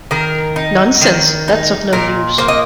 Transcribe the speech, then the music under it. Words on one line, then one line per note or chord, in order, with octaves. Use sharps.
Nonsense; that's of no use.
D#3 A#4
D#4
D#3
D#4
A#2 A#4
A#3 C5
D#5